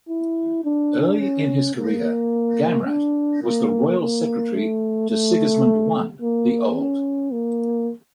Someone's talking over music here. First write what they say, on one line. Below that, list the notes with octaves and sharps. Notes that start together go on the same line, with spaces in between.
Early in his career, Gamrat was the royal secretary to Sigismund I the Old.
E4
D4
C#4
A#3
D4
A#3
A#3
A3
A3
A#3
C#4
A#3